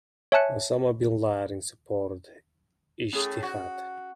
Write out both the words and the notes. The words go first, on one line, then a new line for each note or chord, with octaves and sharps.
Osama Bin Laden supported "ijtihad".
C#5 E5 G#5 A5 F#6 C#7
A2 A3 C#4 G#4
F#4